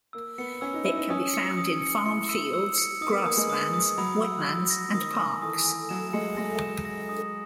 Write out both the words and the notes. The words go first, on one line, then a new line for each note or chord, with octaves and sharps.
It can be found in farm fields, grasslands, wetlands, and parks.
A#3 E6
B3 C#7
C#4 E6
D#4
E4 E6
D#4
C#4 D#6
C#7
D#6
C#7
E4 C#7
E6
E6
C#7
D#4 D#6
A#3
B3
A#3 D#6
G#3
D#6
D#6
F#3 B5
E6
E6
A#6
D#3 D#6
G#5
E3 D#6
G#5
F#3 E7
G#3 C#7
G#3 A#6
E7
A#6
D#6